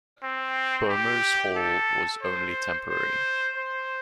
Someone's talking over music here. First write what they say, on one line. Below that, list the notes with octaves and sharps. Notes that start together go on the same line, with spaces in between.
Boehmer's Hall was only temporary.
C4
G4
A4
C5
C5
C5